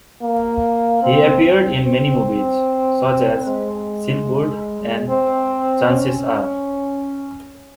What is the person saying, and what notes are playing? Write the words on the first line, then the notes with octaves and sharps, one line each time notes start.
He appeared in many movies, such as "Silkwood" and "Chances Are".
A#3
C4
C4
C4
G#3
C4
C#4